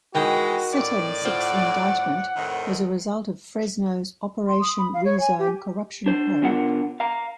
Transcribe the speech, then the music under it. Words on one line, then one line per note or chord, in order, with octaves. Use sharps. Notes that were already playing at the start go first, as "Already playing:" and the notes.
Setencich's indictment was a result of Fresno's Operation Rezone corruption probe.
D#3 E3 G#3 F#4 G5 A#5
A2 D5
F4 C5 F#5
F2 A2 D#3
C6
D#6
B5
F5
C#5
G#5
G4
D4 C5
C#3 B3 D4 F4 A#4 F#5
F5 A#5